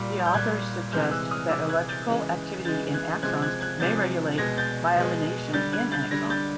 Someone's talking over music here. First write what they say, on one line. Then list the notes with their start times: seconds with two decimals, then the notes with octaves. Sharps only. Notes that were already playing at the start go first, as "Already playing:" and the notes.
The authors suggest that electrical activity in axons may regulate myelination in axons.
Already playing: A#2 G3
0.26 G6
0.34 A#2 G3 F#6 G#6
0.92 C3 E3 G#3 F6 G6
1.11 E6 F#6
1.31 D#6 F6
1.49 C3 E3 G#3 D6 E6
1.69 F#6 G#6
1.89 G6 A6
2.08 C#3 E3 G#3
2.65 C#3 E3 G#3 G6 A6
2.94 F#6 G#6
3.22 C3 F3 G#3 F#6 G#6
3.42 F#6 G#6
3.61 F#6 G#6
3.80 C3 F3 G#3 G6 A6
4.38 B2 G#3 G#6 A#6
4.58 G6 A6
4.96 B2 G#3
5.53 D3 G3 G6 A6
5.72 F#6 G#6
5.92 G6 A6
6.11 D3 G3 G#6 A#6
6.30 G6 A6